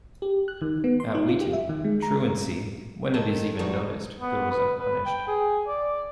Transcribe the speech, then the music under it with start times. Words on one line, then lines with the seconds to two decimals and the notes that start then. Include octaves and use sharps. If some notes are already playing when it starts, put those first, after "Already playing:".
At Wheaton, truancy, when it is even noticed, goes unpunished.
0.22 G4
0.48 F#6
0.62 D#3
0.84 B3
1.00 C6
1.15 D#4
1.29 F4
1.41 G4
1.53 E5
1.69 D#3
1.84 G#3
2.02 A#5
3.14 D#3 A4
3.59 E2 G3 D#4 F#4
4.19 B3
4.51 B4
4.79 B4
5.06 G5
5.28 G#4
5.67 D5